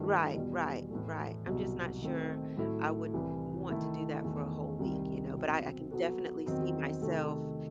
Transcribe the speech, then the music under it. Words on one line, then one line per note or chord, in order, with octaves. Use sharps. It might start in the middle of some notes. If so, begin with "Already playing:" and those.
Right, right, right. I'm just not sure I would want to do that for a whole week, you know? But I I can definitely see myself
Already playing: G2 D#3 A3 E4
E2 B2 G3
A2 E3 A3
C2 B2 F#3
D#3 A3 C4
A2 F#3 A3 E4 A4
C2 C3 E3 G3
D#3 A3 E4 A4
E2 D#3 A3
C2 C3 D#3 G3
B2 F#3 C4
F#3 B3 F#4 A4
E2 D#3 F#3 C4 D#4
C3 D#3 A3 D#4 A4